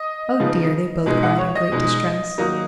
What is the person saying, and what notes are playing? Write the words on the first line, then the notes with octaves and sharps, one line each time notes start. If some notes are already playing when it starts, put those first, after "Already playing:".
"Oh, dear!" they both cried in great distress.
Already playing: D#5
C#3 F3 B3 D#4
B2 G#3 D#4
F#5
C#5
D#5
B2 G#3 D#4
D#3 F#3 A#3 D#4